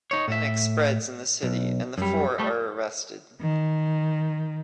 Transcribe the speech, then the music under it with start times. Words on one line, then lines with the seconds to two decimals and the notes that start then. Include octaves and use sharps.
Panic spreads in the city, and the four are arrested.
0.11 D#4 C#5
0.28 A2 E5
1.43 B1
1.98 F#2 G3
2.39 G3 A3
3.41 D#3